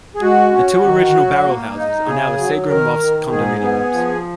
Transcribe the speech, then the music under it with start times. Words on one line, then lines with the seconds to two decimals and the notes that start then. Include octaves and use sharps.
The two original barrel houses are now the Seagram Lofts condominiums.
0.15 G#4
0.22 G#3 F#4
0.52 C#4
0.83 D#3
1.14 F#3
1.46 A#3
1.76 D#4
2.07 C#3 G#4
2.38 F#3
2.69 D#3 A#4
3.00 D#3
3.31 G#2 G#4
3.61 B3
3.93 F3